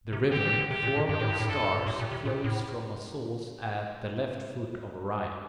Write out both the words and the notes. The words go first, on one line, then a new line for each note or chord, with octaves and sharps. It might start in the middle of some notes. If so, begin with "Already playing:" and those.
The River, formed of stars, flows from a source at the left foot of Orion.
C3
D3 G4
E3
D3
C3 G4
A#2
A2
G2 G4
A2
G2
A2
G2 A4
A2 G4
A#2
C3
A#2 G4
A2